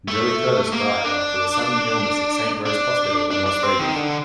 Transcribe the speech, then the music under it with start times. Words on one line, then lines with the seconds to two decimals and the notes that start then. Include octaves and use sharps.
Joey Curtis died after a sudden illness at Saint Rose Hospital in Las Vegas.
0.08 A3
0.73 A#3
1.05 D4
2.66 D4
3.31 D4
3.46 D4
3.63 C4
3.79 D#3
3.95 D3